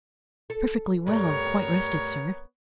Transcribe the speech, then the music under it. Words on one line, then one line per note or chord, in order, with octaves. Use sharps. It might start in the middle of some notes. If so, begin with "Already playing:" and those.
"Perfectly well; quite rested, sir."
A4
G2 G3 A3 B3 A#4 C#5